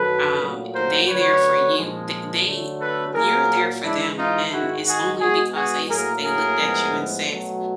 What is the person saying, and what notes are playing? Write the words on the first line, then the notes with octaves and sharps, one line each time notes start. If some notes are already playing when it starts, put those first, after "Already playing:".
Um, they there for you, the they you're there for them, and it's only because they s they looked at you and says,
Already playing: F#2 D#3 F#3 A4 B4
A#2 F#3 A3
A#4 C5
D3 F#3 A3 B4 C#5
A#2 F3 G#3
D3 F#3 A3
A4 B4
A#2 F#3 A#3 G#4 A#4
G#2 E3 G#3 D4 E4
D#4 F4
G#2 D#3 G#3 E4 F#4
F#4 G#4
B2 G#3 B3 F#4 G#4
F#4 G#4
A2 F#3 A#3 G#4 A#4
G#4 A#4
A2 F3 G#3 B3
B2 F#3 A3